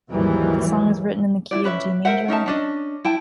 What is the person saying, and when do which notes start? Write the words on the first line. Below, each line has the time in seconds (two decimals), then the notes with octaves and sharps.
The song is written in the key of D Major.
0.13 D#2 G#2 E3 F#3 G3
1.51 E4 G4 D5
1.64 C#4 B4 D5 E5
2.05 A#4 C5 E5 F#5
2.28 C#4 D#4 E5 A5
2.46 C#4 D4 D#5
3.05 E4 G5 A5